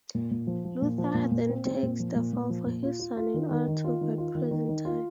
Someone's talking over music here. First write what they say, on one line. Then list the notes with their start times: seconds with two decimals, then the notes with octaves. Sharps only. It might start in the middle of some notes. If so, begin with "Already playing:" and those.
Luther then takes the fall for his son in order to avoid prison time.
0.15 A#2
0.31 A#2
0.47 F3
0.65 F3
0.82 A#2
0.98 F3
1.14 A#2
1.31 A#2
1.49 C4
1.65 C4
1.83 A#2
2.00 F3
2.16 A#2
2.33 A#2
2.50 F3
2.66 A#2
2.83 F4
2.99 F4
3.17 F4
3.34 D#3
3.51 D#3
3.68 D#3
3.84 F4
4.01 D#3
4.18 F4
4.35 D#3
4.51 D#3
4.69 D#3
4.85 F4